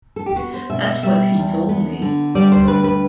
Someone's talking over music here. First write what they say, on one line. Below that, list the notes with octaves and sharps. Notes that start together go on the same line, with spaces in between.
That's what he told me.
A4
G4
B3 F#4
C5
B2 E5
E5
G3 E5
E2
B3
D3
G3 D5
C5
D2 B4
B4